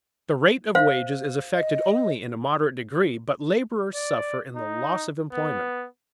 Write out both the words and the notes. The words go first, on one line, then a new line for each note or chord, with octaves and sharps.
The rate of wages is affected only in a moderate degree, but laborers suffer in the loss of employment.
C5 E5 F5
D#5
D5
D#4
B3